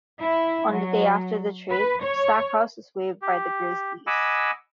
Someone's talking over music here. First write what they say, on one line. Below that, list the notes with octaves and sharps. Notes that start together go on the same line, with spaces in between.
On the day after the trade, Stackhouse was waived by the Grizzlies.
E4
F#3
B4
C#5
G4
D#5 F#5 G#5 B5 D6 E6